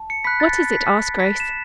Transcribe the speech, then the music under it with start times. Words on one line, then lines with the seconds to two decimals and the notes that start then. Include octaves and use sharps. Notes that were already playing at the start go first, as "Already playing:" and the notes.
"What is it?" asked Grace.
Already playing: A5
0.10 C#7
0.24 B5 F#6 B6
0.40 A6
0.73 B6
1.20 B6
1.40 E7